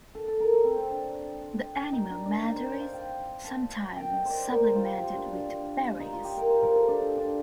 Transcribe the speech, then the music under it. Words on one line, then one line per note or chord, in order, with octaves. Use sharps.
The animal matter is sometimes supplemented with berries.
A4
A4
A#4
A4
C4
C4
D4
D#4
D4
D4
D#4
C5
D5
F5
G5
A5
G5
D#5
C5 D5
A#4
C5
F4 G4
F4
D4
D4
D4
D#4
F4
G4
A#4
C5
A#4
A4
D4
D4
D4